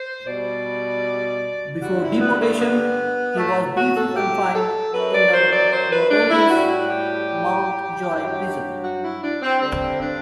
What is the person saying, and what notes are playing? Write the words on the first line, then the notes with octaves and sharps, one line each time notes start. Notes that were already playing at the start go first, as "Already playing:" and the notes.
Before deportation he was briefly confined in the notorious Mountjoy Prison.
Already playing: C5
B2 G3 D5
G2 D3 G3 F#4
E4
B3
A3
B3
A2 F#3 A3
F#4
A4
G4
A4
F#2 F#3 B4
D5
C5
D5
C5
B4
D4
E4
A2 G3 F#4
G4
G2 F#3
F#4
E4
D4
C4
G2 D3 G3 C4
D4